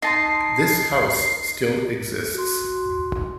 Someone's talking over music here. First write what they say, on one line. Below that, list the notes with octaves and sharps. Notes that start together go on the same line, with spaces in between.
This house still exists.
D#4 A5 C6 C7
F#4 C6